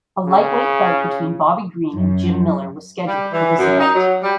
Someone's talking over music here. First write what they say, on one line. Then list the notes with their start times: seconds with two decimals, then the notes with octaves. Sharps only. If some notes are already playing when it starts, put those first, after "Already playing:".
A lightweight bout between Bobby Green and Jim Miller was scheduled for this event.
0.26 C#3
1.95 F#2
3.07 G3
3.33 E3
3.58 F#2
3.80 D#4
3.95 F#3
4.23 G3